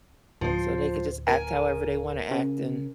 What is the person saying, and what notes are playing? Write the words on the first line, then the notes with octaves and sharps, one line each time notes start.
so they could just act however they wanna act and
D1 F3 C5
A#4 G#5
C#3